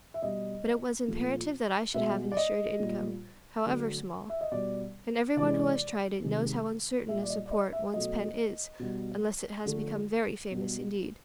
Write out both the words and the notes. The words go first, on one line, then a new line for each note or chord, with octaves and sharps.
But it was imperative that I should have an assured income, however small; and every one who has tried it knows how uncertain a support one's pen is, unless it has become very famous indeed.
E5
B2 G3 D#5
A#2 F3 A3
B2 G#3 E5
D5
D#5
A#2 G3
D3 F#3 A3
E5
D#5
B2 G3 D5
C3 E3 G#3 D5
C3 D#3 G#3
A#2 G3 E5
D5
D#5
D5
D#5
E5
B2 F#3 A3 D#5
B2 G3
D3 F3 A3
B2 G3